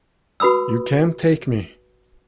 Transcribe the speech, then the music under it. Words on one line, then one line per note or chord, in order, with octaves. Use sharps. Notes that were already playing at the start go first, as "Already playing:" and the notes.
You can't take me!
F#4 B4 B5 D#6 E6